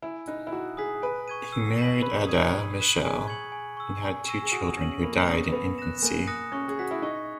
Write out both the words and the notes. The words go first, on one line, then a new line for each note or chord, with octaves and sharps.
He married Adah Michell and had two children who died in infancy.
E4 G#5
D#4 B5 D#6 F#6
E4
F#4 A#5
G#4 D#6 F#6 B6
B4 G#5
C#6 G#6 D#7
E6
B6 D#7 F#7
B4 B5
D#6 G#6 D#7
B5
F#6 B6 D#7
G#4 G#5
C#6 G#6 C#7 F#7
G#5
C#6 E6
G#5
C#6 E6 A#6 E7
G#4
F#4 D#6
C#4 A#6 D#7 F#7
A#3 B5
C#4 D#6 A#6 C#7
B3 B5
F#6 A#6 E7
A#3 G#5
D#6 F#6 A#6 C#7
C#4 C#6
G#4
F#4 G#6 B6
E4
D#4 C#6